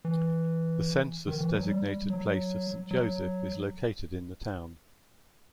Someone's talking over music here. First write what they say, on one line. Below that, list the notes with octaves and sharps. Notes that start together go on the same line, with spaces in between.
The census-designated place of Saint Joseph is located in the town.
E3
D#3
E3
F#3
G3
F#3
F#3